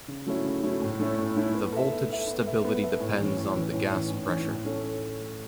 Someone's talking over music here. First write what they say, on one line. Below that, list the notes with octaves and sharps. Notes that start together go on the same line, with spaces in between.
The voltage stability depends on the gas pressure.
C#3
F#3 A3 C#4 E4
C#3
F#3 A3 C#4 E4
A2
A3 C#4 E4
A2
A3 C#4 E4
B3
A4 E5
B3
A4 E5
B3
A4 E5
B3
A4 E5
A2
E3 C#4
A2
E3 C#4
A2
E3 C#4
A2
E3 C#4
A2
A3 C#4 A4